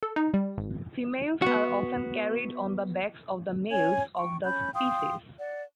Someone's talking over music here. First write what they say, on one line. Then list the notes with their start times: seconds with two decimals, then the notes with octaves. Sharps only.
Females are often carried on the backs of the males of the species.
0.03 A4
0.16 D#4
0.34 G3
0.57 G#1
1.42 B3 F#4
3.70 C#4 C#5 G#5 G#6
4.17 G5 C#6
4.44 C#4 B5 G6
4.74 F5 G5 C6 D#6
5.38 D5 F#5